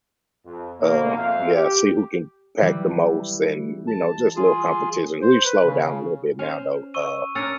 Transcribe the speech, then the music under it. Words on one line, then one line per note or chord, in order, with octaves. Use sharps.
Uh, yeah. See who can pack the most and, you know, just little competition. We've slowed down a little bit now, though, uh,
F2
B2 A#3
F2 G#2 C5 E5 F5
G4
E3 G3
A5
F4 G#4
C5
B4
C#3
C#4 C5
C#6 E6 D#7
C#4 D4 A#4 E6 A6 C#7